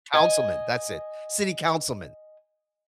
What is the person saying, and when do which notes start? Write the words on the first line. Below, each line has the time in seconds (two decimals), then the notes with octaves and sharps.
councilman. That's it, city councilman.
0.14 D#5 G#5